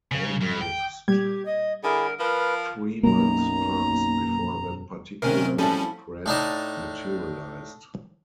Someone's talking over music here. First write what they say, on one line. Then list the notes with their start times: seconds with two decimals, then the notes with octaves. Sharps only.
Almost three months passed before that particular threat materialized.
0.12 C#3
0.42 G2
0.62 G5
1.08 A#2 G3 G4 G#6
1.45 D#5
1.83 D3 E4 G#4 A#4
2.19 F3 A#4 B4
3.03 B1 F#2 B2 A#3 A#5
5.22 D2 C3 D#3 C#4 A#4 C5
5.58 F3 G3 C#4 E4 F#4 A4
6.26 A2 D4 D#4 A5